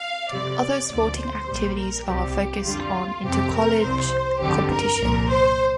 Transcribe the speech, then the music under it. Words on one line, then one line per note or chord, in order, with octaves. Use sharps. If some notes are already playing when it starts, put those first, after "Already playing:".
Other sporting activities are focused on inter-college competition.
Already playing: F5
F2 C3 G3 D5
D2 D3 F3 D5
C5
A#1 A#2 G3
A#4
C2 C3 G3 G4
F2 D3 G3 F4
F2 C3 F3 G4
A#4
C2 C3 F3 C5
G1 F2 D3 F3 G4
A#4
C2 A#2 F3
C5